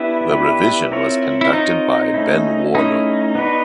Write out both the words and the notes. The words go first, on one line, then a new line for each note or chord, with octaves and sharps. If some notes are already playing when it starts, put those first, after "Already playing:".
The revision was conducted by Ben Warlow.
Already playing: B3 D4 E4 G4 B4
B3 D4 G4 B4
C4 F4 A#4 C#5
E4
C4 D#4 F4 A#4 C#5
A3 C#4 E4
A3 C#4 D#4 E4
B3 D4 F#4 B4